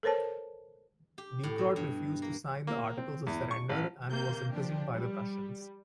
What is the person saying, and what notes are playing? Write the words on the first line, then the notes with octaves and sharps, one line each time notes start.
Ducrot refused to sign the articles of surrender, and was imprisoned by the Prussians.
A4 A#4 C5 C#5 A5
G4
A2
B2
G2
A#3
A#3
C4
E2
C#6
A1
C3 D#3 A#3 G6
F3 D4 G4
G3